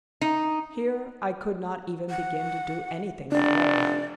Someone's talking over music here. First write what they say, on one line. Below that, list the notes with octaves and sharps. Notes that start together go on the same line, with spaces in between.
Here I could not even begin to do anything at all.
D#4
F#5
F1 D4 D5